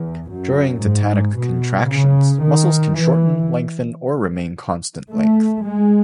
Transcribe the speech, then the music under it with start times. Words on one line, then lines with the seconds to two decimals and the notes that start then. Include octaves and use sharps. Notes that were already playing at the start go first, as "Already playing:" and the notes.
During tetanic contractions, muscles can shorten, lengthen or remain constant length.
Already playing: E2
0.31 F#2
0.84 G#2
1.37 B2
1.90 C#3
2.43 D#3
2.97 E3
5.09 A3
5.63 G#3